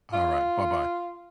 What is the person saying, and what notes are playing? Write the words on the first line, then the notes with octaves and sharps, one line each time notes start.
Alright. Bye-bye.
F4